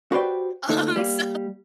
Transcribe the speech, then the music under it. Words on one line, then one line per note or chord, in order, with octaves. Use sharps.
Um, so,
F#4 G4 B4 C5 D5 G5
D2 A#3 D#4 A4
G3 A#3